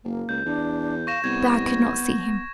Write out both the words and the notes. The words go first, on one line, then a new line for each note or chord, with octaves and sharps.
But I could not see him.
F#1 A#3
C#2 G6
E2 D4
F5 C#6 A#6 E7
C2 B3 G#6